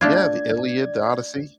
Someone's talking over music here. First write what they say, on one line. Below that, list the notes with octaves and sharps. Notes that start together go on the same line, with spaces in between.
Yeah, the Iliad, the Odyssey.
A3 D4 F4 D5 G#6